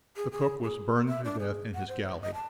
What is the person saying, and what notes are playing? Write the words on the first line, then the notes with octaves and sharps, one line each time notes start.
The cook was burned to death in his galley.
G#4
G#4
G#4
E5
D4
G#4
F#5
C5
D#5
A5